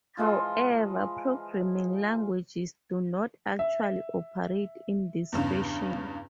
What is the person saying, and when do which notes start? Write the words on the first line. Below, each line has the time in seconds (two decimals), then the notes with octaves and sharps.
However, programming languages do not actually operate in this fashion.
0.17 E3 F3 G#3 F4
3.59 E5
5.32 E2 G2 C#3